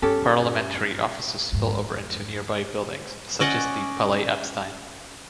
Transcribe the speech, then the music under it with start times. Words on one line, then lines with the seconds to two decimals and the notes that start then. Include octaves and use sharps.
Parliamentary offices spill over into nearby buildings, such as the Palais Epstein.
0.02 G2 C#4 G4 A4
1.52 F2 G#2
3.40 C#4 D5 D#5 F#5